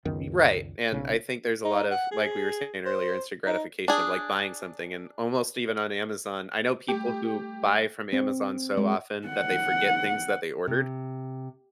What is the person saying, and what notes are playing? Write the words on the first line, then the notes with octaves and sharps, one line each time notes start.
Y right, and I think there's a lot of like we were saying earlier, instant gratification of, like, buying something, and almost even on Amazon. I know people who buy from Amazon so often that they forget things that they ordered,
C#2 F#2 D#3 B3
B1 C#3
D#4
F#5
G#4
C5
D#4
D4 G#4
G3 A3 G4
C4
G#3
F#5
C3